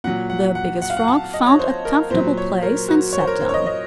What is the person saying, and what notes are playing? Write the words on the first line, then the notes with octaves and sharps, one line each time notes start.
The Biggest Frog found a comfortable place and sat down.
A#2 F#3 F#5
F#5
F#5
F#5
F5
F#5
A5
D#5
C#5
C5
A#4
A#2 F#3 C5
C#5
A#4
F#4
C#5
C5
A#4
C5
C#5
D#5
D#5